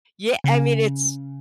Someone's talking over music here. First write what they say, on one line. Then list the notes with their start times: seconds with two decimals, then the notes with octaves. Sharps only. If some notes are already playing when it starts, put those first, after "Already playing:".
Yeah, I mean, it's
0.44 C#3